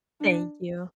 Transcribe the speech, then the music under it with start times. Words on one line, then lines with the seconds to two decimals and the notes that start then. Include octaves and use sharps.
Thank you.
0.21 D4